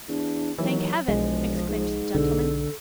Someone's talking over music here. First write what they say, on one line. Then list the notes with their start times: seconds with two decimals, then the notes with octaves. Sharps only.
'Thank Heaven!' exclaimed the gentleman.
0.08 E2 D4
0.58 D#2 E3 F#3
1.08 E1 B1 F3 G#3
1.68 G#2
2.15 B1 D3 A4